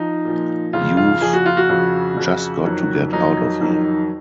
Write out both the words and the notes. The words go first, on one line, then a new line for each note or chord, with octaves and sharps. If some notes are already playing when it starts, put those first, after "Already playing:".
You've just got to get out of here!
Already playing: F3 D#4
A#2 F3
F2 C#3 F3 F4
F4
F2 C#3 F3 G#4
F#4
F4
F#4
F2 C#3 F3
F2 C#3 F3
F2 D#3 F#3
F2 D#3 F#3 D#4
F2 D#3 F#3